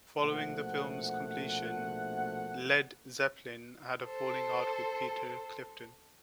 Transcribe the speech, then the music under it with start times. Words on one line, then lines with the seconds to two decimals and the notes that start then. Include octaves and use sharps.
Following the film's completion, Led Zeppelin had a falling out with Peter Clifton.
0.20 A#1 B2 A3 C5 F#5
4.05 A4 C5